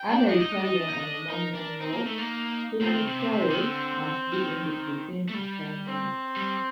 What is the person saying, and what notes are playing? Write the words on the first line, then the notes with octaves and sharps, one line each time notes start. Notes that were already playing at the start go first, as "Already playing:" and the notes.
Under Italian and Romanian law, criminal trials must be ended within a time limit.
Already playing: G5
D4
D4 D#5
D#4
D4
D#4
D4
D#4
D4
D#4 A#4
D4
C4 D#4
A#3
A3
A#3
F3 C4
D#3
C3
C3
C3
D#3
D3
D#3
A3
G3
C4
G3